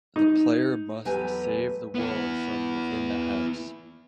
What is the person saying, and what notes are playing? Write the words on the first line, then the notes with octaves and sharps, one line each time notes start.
The player must save the world from within the house.
D#4
E2 F#3 A3 G4 B4 G#5
B3 E4